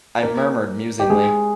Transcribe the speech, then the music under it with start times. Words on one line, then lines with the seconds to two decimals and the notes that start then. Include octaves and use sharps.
I murmured musingly.
0.23 A#3 A#4
1.00 G4
1.10 G#3 G#4